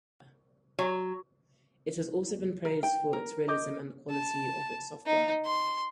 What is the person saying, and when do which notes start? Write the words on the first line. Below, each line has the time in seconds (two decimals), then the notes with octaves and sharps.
It has also been praised for its realism and the quality of its software.
0.79 F#3
2.65 A#4
2.83 G5
3.13 A#4
3.48 D#5 D6 G6
4.10 A5
5.06 D#4
5.45 C6